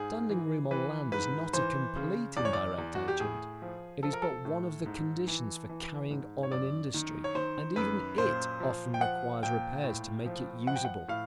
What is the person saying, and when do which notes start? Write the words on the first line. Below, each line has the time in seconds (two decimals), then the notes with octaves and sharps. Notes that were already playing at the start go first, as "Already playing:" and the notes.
Standing-room on land is not a complete indirect agent; it is but one of the conditions for carrying on an industry, and even it often requires repairs to make it usable.
Already playing: G#2 G#4
0.29 E3
0.71 E3 B4
1.12 G#2 B4
1.53 E3 C5
1.96 C#3
2.37 E2 D5
2.45 C#5
2.53 D5
2.78 E2
2.95 F#4
3.08 G4
3.20 A2 G#4
3.62 F3
4.03 F3 A4
4.13 A#4
4.22 A4
4.45 A2
4.86 G#2
5.28 E3
5.69 E3
6.10 G#2
6.43 C#5
6.52 F#2 D5
6.94 D#3
7.24 C#5
7.35 D#3 C5
7.76 F#2 B4
8.18 A#2 C5
8.60 F3
8.94 G5
9.01 F3 F#5
9.43 A#2 G5
9.84 A2
10.26 F3
10.67 F3 F#5
10.75 G5
10.85 F#5
11.08 A2 F5